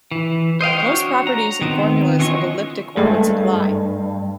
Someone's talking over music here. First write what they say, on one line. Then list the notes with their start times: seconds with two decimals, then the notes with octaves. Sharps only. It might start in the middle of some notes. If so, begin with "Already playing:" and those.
Most properties and formulas of elliptic orbits apply.
0.11 E3
0.61 C5 D#5 F5 G5
0.78 D4 F#4 C#5
1.27 A#5
1.61 D#3 B3 C4
2.19 E3 C#4 F4 D#5 C#6
2.97 G2 G#3 A3